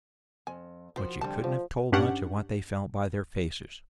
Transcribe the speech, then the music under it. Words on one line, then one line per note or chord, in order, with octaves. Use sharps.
But you couldn't have told much of what they felt by their faces.
F2 G#5
D#3 F3 F#4 C5
F2 D3 G3 A3 A5
F3 A3
G2 C#4 D4 G4 F#5